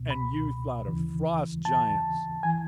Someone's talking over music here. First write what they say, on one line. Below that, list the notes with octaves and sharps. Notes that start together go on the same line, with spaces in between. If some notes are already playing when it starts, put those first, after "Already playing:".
"And you thought of frost giants!"
Already playing: C#2 B2
B5
D#2 C#3 E3
A5
E3 G#5